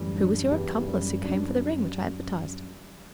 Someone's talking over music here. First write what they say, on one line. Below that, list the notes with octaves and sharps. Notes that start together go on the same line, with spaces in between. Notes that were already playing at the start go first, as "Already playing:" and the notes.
"Who was your accomplice who came for the ring which I advertised?"
Already playing: F#2 A2 E3 G3
D4
E2 G2 G3
E2
F#2 G3
F#2 D4